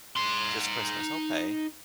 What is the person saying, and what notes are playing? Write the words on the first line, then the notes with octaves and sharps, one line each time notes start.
Just Christmas okay.
D#4 C6